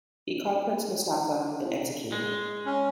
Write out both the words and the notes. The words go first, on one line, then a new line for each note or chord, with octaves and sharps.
He caught Prince Mustafa and executed him.
G#3
C#4